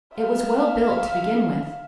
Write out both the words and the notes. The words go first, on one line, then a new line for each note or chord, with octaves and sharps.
It was well built to begin with.
E5 F5